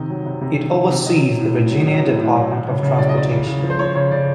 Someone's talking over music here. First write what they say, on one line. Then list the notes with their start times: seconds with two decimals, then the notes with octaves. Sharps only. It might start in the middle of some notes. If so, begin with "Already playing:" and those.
It oversees the Virginia Department of Transportation.
Already playing: C3 D#3 D#5
0.09 F#3
0.25 C3
0.41 C3
0.58 D#3
0.74 F#3
0.90 C3
1.06 F#3 D#5
1.22 F#3
1.39 A2
1.54 A2
1.71 F#3
1.87 F#3
2.03 A2
2.18 A2
2.35 F#3
2.51 F#3
2.67 C#3
2.83 C#3
2.98 F#3 D5
3.09 D#5
3.15 F#3 D5
3.31 C#3
3.47 C#3
3.63 F3
3.70 C5
3.79 F3 C#5
3.95 C#3 C#5
4.11 C#3 D5